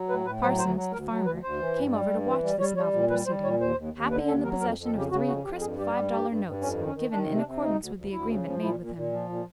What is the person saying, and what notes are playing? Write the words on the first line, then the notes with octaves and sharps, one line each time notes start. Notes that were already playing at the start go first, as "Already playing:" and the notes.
Parsons, the farmer, came over to watch this novel proceeding, happy in the possession of three crisp five-dollar notes given in accordance with the agreement made with him.
Already playing: F#3
A2 B4
A2 B4
F#3 C5
D2 C5
F#3
D2 A#4
F#3
D2 B4
D2 C5
E3
G2
G3
G2
E3
G3
G3 C#5
G3 C#5
A#2
G3 B4
G3 C5
A#2 C#5
D#2 C5
D#2
D#2
D3 B4
D#2 A4
F#3 A#4
F2 A#4
F2
A4
C#3 G4
C#3 F#4
F2 F#4
F2 G4
G2 G#4
G3 G4
G2 G4
G2 G4
G2
G2
F2 C#4
D#3
C#4
D#3
D#3 D4
C3
D4
C3
D2 D#4
D2
D2
D2 E4
C#3
F3
A#2 E4
A#2
A#2
F3
A#2